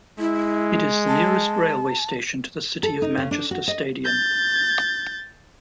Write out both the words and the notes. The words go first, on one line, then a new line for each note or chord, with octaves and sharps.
It is the nearest railway station to the City of Manchester Stadium.
G#3 E4
A5
A4
D#4
C#3
D4
F#4
D#5
G6 A6